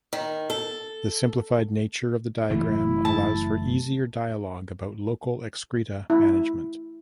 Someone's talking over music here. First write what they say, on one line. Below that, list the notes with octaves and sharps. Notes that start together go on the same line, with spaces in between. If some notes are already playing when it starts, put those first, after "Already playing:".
The simplified nature of the diagram allows for easier dialog about local excreta management.
D#3
A4
F#1 E3 A3 E4
A5
E4